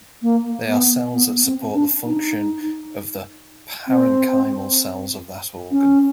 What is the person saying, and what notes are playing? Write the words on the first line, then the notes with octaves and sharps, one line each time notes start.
They are cells that support the function of the parenchymal cells of that organ.
A#3
B3
B3
C4
D4
D#4
C4
C#4